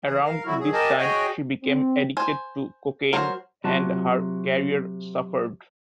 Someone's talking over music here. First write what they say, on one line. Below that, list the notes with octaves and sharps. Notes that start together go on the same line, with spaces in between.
Around this time she became addicted to cocaine and her career suffered.
E3 G#4
A#4 F5
D3 F#3 E4 F#4
F#3 G#4
G4 A#4 D#5 G#5 A5
F#4 G#4 C#5 D#5 G5 G#5
C4
C5 G#5
F#3 A#4 C5
C3 F#3 F4 F#4 A5